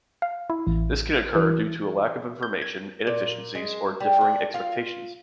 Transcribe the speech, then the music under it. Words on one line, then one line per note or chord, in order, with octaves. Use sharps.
This can occur due to lack of information, inefficiencies, or differing expectations.
F5
E4
A1
E3
G6
G#6
A#2
G#3
G3
D4
F4 F5